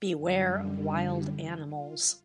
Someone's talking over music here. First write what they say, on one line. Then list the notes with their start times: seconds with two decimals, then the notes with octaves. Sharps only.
Beware of wild animals.
0.14 F#2 D3 G3 F4
0.92 E4
1.71 F4